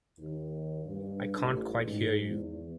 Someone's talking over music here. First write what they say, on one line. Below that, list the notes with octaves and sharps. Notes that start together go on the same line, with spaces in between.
I can't quite hear you.
D#2
G2
A1
G#2
E2